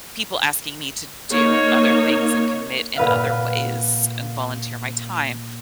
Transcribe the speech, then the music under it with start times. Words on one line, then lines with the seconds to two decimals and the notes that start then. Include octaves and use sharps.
people asking me to do other things, and commit in other ways, and volunteer my time.
1.30 A#3 D#4 C#5
2.96 A#2 B4 F5 F#5